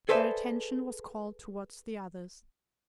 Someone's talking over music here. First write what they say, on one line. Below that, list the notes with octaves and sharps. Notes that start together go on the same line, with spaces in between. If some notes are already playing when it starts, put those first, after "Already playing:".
Their attention was called towards the others.
G#4 A4 B4 C5 D5 E5